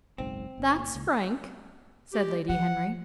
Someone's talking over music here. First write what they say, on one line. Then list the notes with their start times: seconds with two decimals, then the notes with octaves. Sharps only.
"That's frank," said Lady Henry.
0.18 F#1 B1 G#2 C4
0.58 G1
0.79 A#2
0.95 C#2
2.13 G4
2.49 F3 F#5